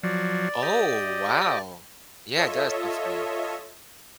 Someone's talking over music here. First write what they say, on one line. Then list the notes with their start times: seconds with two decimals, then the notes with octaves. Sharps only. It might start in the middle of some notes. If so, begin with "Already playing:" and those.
Oh, wow. Yeah, it does sound funny.
0.03 F3 F#3 D5
0.62 G4 D#5
2.37 F4 A4 C#5 D#5 E5